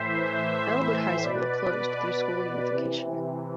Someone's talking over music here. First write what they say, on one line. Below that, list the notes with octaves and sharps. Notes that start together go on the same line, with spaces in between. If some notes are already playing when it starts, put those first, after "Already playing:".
Elwood High School closed through school unification.
Already playing: A2 E3 C5 E5
C5 E5
B2 B4 D5
C3 E3